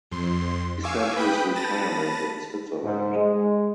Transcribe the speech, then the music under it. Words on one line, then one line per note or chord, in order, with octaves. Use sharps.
He spent his retirement in Switzerland.
F2 C6
F5 G#5 C#6 D6 E6
B4 G5 B5 D#6 F#6
A5 B5 A6 A#6 D#7
G#2
G#3